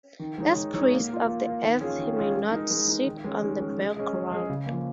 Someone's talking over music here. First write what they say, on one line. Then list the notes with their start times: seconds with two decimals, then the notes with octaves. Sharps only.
As priest of the Earth he may not sit on the bare ground.
0.19 D#3
0.38 G#3 D#4 C#5
0.55 D#3
0.73 G#3 D#4 C#5
0.92 A#3
1.09 F4 A#4
1.27 A#3
1.45 F4 A#4
1.62 D#3
1.81 C#4 F4 G#4 C#5
1.99 D#3
2.17 C#4 F4 G#4 C#5
2.35 G#3
2.52 D#4 A#4
2.70 G#3
2.88 D#4 A#4
3.07 D#3
3.24 G#3 C#4
3.42 D#3
3.60 G#3 C#4
3.77 G#3
3.96 C#4 G#4 D#5
4.13 G#3
4.31 C#4 G#4 D#5
4.49 C#3
4.66 F3 A#3